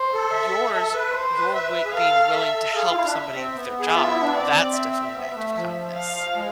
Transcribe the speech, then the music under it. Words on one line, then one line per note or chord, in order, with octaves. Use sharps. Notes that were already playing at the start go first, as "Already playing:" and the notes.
Yours your way being willing to help somebody with their job, that's definitely an act of kindness.
Already playing: C5
A4
E5
A4 E5
B4
C5
B4
B4 E5
B4
G#4
A4 F5
E5
G#4 F5
F4
E4
D4
E5
C4
B3
G#4
F4 E5
E4
D4
C4 D5
E5
B3
B3
A3
F3
F5
G#3